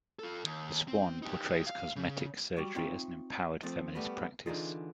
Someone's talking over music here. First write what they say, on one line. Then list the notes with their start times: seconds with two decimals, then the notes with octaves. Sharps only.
"The Swan" portrays cosmetic surgery as an empowered, feminist practice.
0.19 F4 A4
0.44 D#2
0.88 C4
1.23 D#4 G4
1.67 F5
1.96 C#3
2.57 G3 F#4 G4
2.75 C4 D#4 F4 C#5 E5 F5
3.63 F3 A3 C4 F4
3.95 G3 A3 B3 B4
4.46 D3 E3 D#4 F4 G#4